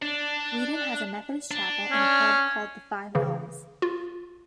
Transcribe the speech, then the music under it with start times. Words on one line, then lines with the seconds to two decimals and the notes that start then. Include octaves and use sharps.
Weedon has a Methodist Chapel and a pub called the Five Elms.
0.02 D4
1.51 D4
1.91 C#4
3.15 C#3 E3
3.82 F4